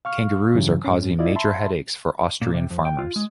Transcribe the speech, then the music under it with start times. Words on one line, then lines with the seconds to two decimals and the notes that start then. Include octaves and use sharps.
Kangaroos are causing major headaches for Austrian farmers.
0.05 F5 C#6 F6
0.55 G2 C#3 E3 F#3
0.85 G#2 C#4
1.19 E4 F4 D5 D#5
1.36 E5 A5 B5 C6
2.42 A#2
2.54 C3
2.70 F2
2.85 G5
2.98 F4
3.16 G#3